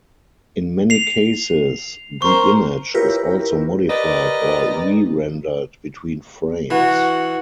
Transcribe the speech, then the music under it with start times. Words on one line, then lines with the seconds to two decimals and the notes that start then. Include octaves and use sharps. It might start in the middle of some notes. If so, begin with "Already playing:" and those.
In many cases, the image is also modified or re-rendered between frames.
0.90 C7 F7
2.22 A#4 C5 C#6
2.94 E4 F4 G4 A#4 B4 C#5
3.90 G4 A#4 B4 D5 D#5
6.71 E3 F#4